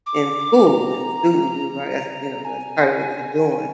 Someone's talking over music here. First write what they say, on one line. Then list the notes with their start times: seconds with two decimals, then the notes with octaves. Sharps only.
in school. And as a student, you are that's, you know, that's part of what you're doing.
0.06 D6
0.67 A#5
2.45 G#5